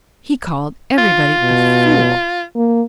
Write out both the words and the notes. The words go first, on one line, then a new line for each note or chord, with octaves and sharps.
He called everybody a fool.
F4
B2
A#3